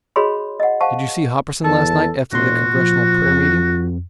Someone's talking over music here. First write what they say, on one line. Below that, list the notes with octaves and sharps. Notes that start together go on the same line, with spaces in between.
"Did you see Hopperson last night after the congressional prayer meeting?"
F#4 G#4 C#5 D#5 B5 C6
D#5 F#5
C5 F5 F#5 A5 C#6
E2 A4 A5
E1 A#2 F#4 C6
F3
F2